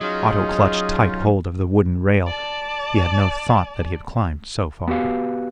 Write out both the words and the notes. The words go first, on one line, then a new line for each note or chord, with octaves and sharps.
Otto clutched tight hold of the wooden rail, he had no thought that he had climbed so far.
F#3 C#4 D#4 F4 G#4 D#5
D5 A5
B3 F#4 G4 B4 F5